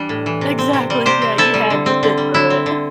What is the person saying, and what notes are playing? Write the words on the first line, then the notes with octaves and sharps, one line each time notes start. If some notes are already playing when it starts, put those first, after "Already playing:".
Exactly, yeah, you had to sit through it.
Already playing: E3 G3 D4
A2
E3
C3
C4
C3
G3
C3 G4 C5
C4
C3 E4 A4
G3
D3
C4
D3
G3
D3 E4
C4
D3